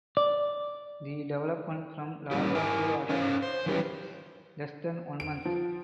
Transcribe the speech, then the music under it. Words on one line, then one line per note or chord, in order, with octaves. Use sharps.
The development from larva to adult takes less than one month.
D5
G3 A#3 C#4 E4 G4
E4 A#4 G5 G#5
C#4 C5 C#5 F5
C5
D#3 F#3 G3 C#4 G4
D7
F3